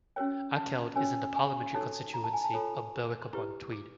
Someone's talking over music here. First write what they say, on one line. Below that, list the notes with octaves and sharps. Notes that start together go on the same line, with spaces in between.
Akeld is in the parliamentary constituency of Berwick-upon-Tweed.
C#4 F#4 A#4 C#5 G5
A5
C#4 F#4 A#4 C#5 G#5
G#5
D#4 F#4 A4 C#5 A5
A#5
A5
G#5
A5
F4 A4 C#5
C6
E4 G4 B4 C#6
D6